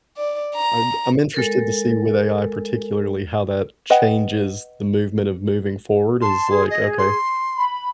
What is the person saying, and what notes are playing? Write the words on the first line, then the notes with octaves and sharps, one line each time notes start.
I'm b I'm interested to see with AI, particularly, how that changes the movement of moving forward is like, okay
D5
A#5
G#3 A4 A#4
B4 D#5 F#5 G5
A5 C6
G#4
D#5
C6
B5